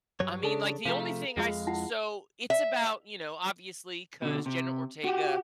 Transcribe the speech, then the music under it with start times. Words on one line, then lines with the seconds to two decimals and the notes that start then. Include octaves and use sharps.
I mean, like, the only thing I s so, it's about, you know, obviously, 'cause Jenna Ortega
0.20 G2 F#3 C#5
0.43 C#3 D4 G#4 A4 A5
0.85 C3 F3 A3 F5 A#5
1.37 F2 G#3 F4 G#4 F5
1.67 E4 F4 F#5
2.50 E5
4.22 B2 D3
4.46 C3
5.04 F#4 G4